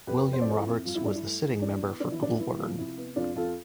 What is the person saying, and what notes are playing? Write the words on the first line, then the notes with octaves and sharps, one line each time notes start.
William Roberts was the sitting member for Goulburn.
F2 G4 B4
F2
C5
D5
F3 A4 C5
E4
F2
G2 F4
E4
G2 D4
E4
A3
E3
E3 D4
B3
B3 D4
E4
E3 D4
B3 E4
F3
C3 E4
B3
F2 D4 F4
F2 F4 A4